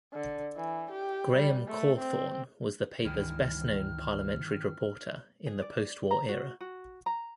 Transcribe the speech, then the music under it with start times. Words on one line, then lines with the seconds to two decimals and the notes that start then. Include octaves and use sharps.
Graham Cawthorne was the paper's best-known Parliamentary reporter in the post-war era.
0.14 D3
0.57 E3
0.91 G4
1.33 G3
1.68 A3
1.98 C4
3.05 C#2 G2 D#3 E3 F6
5.46 G#4
5.62 D5
6.11 A#5
6.29 F#4
6.61 F#4
7.06 A#5